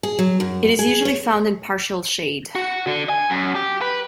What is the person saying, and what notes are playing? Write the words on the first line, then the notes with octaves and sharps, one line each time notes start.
It is usually found in partial shade.
G#4
F#3
F#2
G#4
C#5
F#4
D3
G#5
F#2
G4
B4